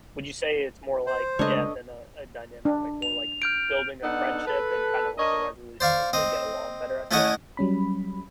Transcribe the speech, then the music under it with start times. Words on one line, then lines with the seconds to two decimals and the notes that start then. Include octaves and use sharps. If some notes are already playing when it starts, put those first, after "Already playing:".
Would you say it's more like Yeah, than a a dynamic like, more like building a friendship and kinda like the resolution as they get along better at the end?
1.07 C5
1.39 C#3 G#3 A3 D4 A4 B4 C#5 D#5
2.65 D4
3.02 F7
3.42 F6 G6 D7
4.03 B3 D4 D#4 A4 F#5
4.46 A4 B4
5.18 D4 A#4 C#5 D#5
5.80 C5 D5 F5 C#6
6.13 C4 D#5
7.11 A3 C#4 E4 C#5 D#5 F#5
7.57 F#3 G3 C#4 B5